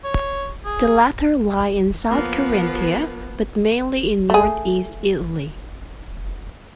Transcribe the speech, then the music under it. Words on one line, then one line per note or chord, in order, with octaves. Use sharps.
The latter lie in South Carinthia, but mainly in Northeast Italy.
C#5
G#4
F3 A#3 B3
A3 G#4